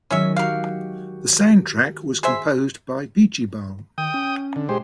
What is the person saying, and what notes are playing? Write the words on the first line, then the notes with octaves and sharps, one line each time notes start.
The soundtrack was composed by Bijibal.
D#3 F#3 G#3 C#4 C#5 E5
F#4 G4 A#4 F5
G#4 C5 E5
D#3 G5 D#6
C#4
D3
A#2 G#3 G4 C5